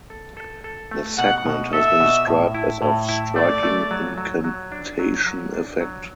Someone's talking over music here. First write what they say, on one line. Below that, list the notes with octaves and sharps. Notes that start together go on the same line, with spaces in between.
The segment has been described as of "striking incantation effect".
A4
A4
A4
A3
B2 F#5
B2
A4 E5
B2
A2
E4
A2
E4
A3 D5
A3
F#3
F#3
F#3
D4
F#3
F#3
D4
F#3